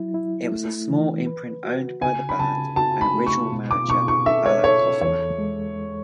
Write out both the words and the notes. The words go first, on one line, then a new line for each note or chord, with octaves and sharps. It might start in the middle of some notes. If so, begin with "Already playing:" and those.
It was a small imprint owned by the band and original manager Allan Coffman.
Already playing: F#3 E4
E4
A3
E3
B4
F#4
C#3 G#5
B5
C#3 A5
F#4 A5
B5
A3
C#6
B2
D6
B2 C#6
C#6
A4 E5
C#5
A4 C#5
E2 C#5
G#3